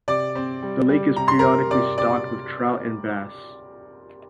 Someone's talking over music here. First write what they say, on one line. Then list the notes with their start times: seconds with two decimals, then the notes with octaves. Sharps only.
The lake is periodically stocked with trout and bass.
0.08 C3 D5 D6
0.36 C4
0.62 G3
0.89 G3
1.16 C3 A#5
1.28 C6
1.39 C3 A#4 A#5
1.71 C3 D5 D6
1.98 C3 D5 D6